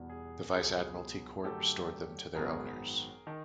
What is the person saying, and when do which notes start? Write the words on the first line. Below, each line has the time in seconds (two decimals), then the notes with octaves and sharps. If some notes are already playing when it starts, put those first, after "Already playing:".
The Vice Admiralty Court restored them to their owners.
Already playing: E2 B2 G3 B3
0.10 G#4
0.54 C#2 B2 F#3 B3 G#4
0.66 A4
0.77 G#4
1.44 F#2 D3 F#3 A3 G4 A4
2.34 G#1 F#2 D#3 F#3 B3 G#4 A#4
3.27 D#3